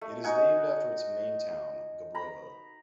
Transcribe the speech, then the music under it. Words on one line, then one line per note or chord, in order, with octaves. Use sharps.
It is named after its main town - Gabrovo.
A3
D#4 F#4 F#5 G#5
A#5 B5